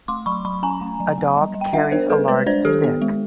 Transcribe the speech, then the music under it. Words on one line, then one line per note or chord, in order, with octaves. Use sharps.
A dog carries a large stick.
A3 C6 D6
F#3 B5 C#6
F#3 B5 C#6
C#4 G#5 A#5
A3
F#3
B3
G3
G3
G5
D4 E5 F#5
B3 A#4 C5
G3 A4 B4
G#3 B4 C#5
D4 C5 D5
D#3 G4 A4
B3
G#3